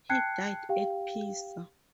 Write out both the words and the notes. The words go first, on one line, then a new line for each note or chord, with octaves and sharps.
He died at Pisa.
G5 A5 F#6 G#6 C7 C#7
G4 F5 G5